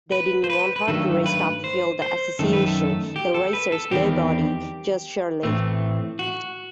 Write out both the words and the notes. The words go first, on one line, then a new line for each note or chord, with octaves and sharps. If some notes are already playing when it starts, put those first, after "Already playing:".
They didn't want her to race Top Fuel, the association, the racers, nobody...Just Shirley.
B4
C5
B4
B4
G2 D#3 F#3 A3 A4
B4
C5
C5
F#2 D#3 A3 A4
B4
A4
G4
A4
B4
A4
E2 D#3 G3 C4 G4
A2 E3 A3 C4
F#4